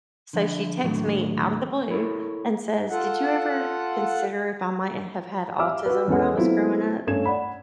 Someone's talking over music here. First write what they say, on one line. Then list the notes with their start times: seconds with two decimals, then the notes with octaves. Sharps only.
so, she texts me out of the blue and says, "Did you ever consider if I might have had autism when I was growing up?"
0.33 D3 F3 E5
0.83 D#2 A2 D3 E3 F#3 A3
1.89 B3 C4 E4 A4 A#4 C#5
2.91 F4 A4 F#5
5.59 G4 E5 F5 D6 E6 F6
5.86 F#4 B4
6.08 E2 C#4 A4 B4 F#5
6.34 F#3 A3 B3 C4 E4 F4
7.07 G2 A3 C#4 G#6 E7
7.25 D5 F#5 B5